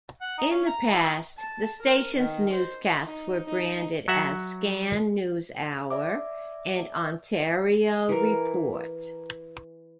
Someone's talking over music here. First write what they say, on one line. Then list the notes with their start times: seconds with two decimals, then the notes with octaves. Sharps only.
In the past, the station's newscasts were branded as "Scan NewsHour" and "Ontario Report".
0.21 F#5
0.38 D#4
0.51 C#4
0.66 A#5
0.91 E4
1.38 A5
1.79 A#4
2.15 D#3
2.53 C5
3.07 D#4
3.47 D#4
4.08 F#3 F#4 E5 F#5
5.90 D5 E5 D6
8.09 E3 A#4